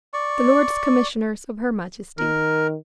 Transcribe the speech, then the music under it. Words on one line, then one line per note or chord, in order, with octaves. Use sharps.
"The Lords Commissioners of her Majesty."
D5 C#6
D#3 A#4